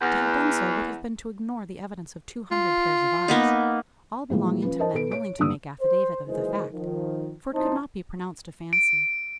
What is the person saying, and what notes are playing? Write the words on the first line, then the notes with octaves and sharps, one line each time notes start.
To have done so would have been to ignore the evidence of two hundred pairs of eyes, all belonging to men willing to make affidavit of the fact--for it could not be pronounced a fancy.
E2
F4
A#3 B3 D#4
A#2 E3 F3 G3 G#3
F3 C#4 B4
A#4 C5 D#5 A5
B2 A4 B4 D7
C#5 D7
A#1 G2 D3 D4 D#6 E6
C5
F#1 D#3 E3 G#3 G#4 C5
D#3 F3
B1 C4 D#4 E4 C5 A5
D7